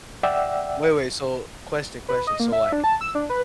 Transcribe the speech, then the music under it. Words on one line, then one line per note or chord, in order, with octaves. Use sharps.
Wait, wait, so question, question, so, like
D5 E5 F#5 G5 E6
B4
D#5
A#3
E5
D4
A5
E6
D4
B4